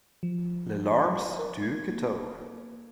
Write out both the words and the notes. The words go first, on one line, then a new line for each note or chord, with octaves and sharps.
"Les Larmes Du Couteau".
F3
A#4
G#6
A#3